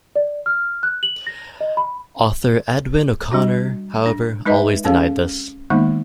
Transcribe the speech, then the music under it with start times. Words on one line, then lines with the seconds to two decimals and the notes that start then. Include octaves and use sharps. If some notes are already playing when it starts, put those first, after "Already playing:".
Author Edwin O'Connor, however, always denied this.
0.16 D5
0.46 F6
0.83 F#6
1.03 F#7
1.27 A#6
1.61 D#5
1.77 B5
3.32 G3 D4 F#4
4.06 D4
4.46 G#3 D#4 B4 D#5 E5
4.85 C4 C#4 G#4 A4 C#5 F5
5.70 D#3 G#3 A#3 B3 D#4